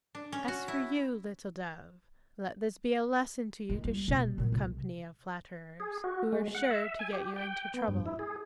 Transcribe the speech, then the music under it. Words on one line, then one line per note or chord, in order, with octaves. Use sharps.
As for you, little Dove, let this be a lesson to you to shun the company of flatterers, who are sure to get you into trouble.
D4
C#4
F#4
E4
D#3
G3
B2
A#2
C2
G#4
F#4
G#3
F#5
E5
G#5
G4
G5
B3
G2
E4
G#4